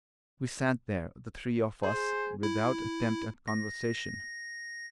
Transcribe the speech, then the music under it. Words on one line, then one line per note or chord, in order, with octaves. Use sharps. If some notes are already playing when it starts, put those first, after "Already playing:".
We sat there, the three of us, without attempt at conversation.
G#4 C5
E4
A#6